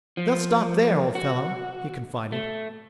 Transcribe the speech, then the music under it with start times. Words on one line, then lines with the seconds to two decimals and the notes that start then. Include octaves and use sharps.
"They'll stop there, old fellow," he confided.
0.17 F3
1.15 F#4
2.32 A3